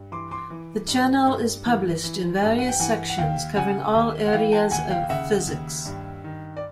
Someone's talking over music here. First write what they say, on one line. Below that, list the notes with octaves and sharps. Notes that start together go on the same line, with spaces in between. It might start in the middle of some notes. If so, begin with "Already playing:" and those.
The journal is published in various sections, covering all areas of physics.
Already playing: G2
E3 C6 D6
C6 D6
E3
G2
G2
E3
E3
G2
F#5
G5
E3 F#5 G#5
F#5
D#2 F5 G5
C#3 F#5 G#5
D#2
F#5
E3 F5 G5
G5 A5
D#2 F#5 G#5
F5 G5
C#3 E5 F#5
D#2
G2
D#3
D5